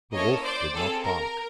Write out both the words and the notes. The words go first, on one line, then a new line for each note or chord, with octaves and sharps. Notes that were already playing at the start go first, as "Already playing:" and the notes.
The wolf did not bark.
A#3 C#4 E4 A4 C#5 D#5
C5 D5
C4 F4 G#4 A4
A#4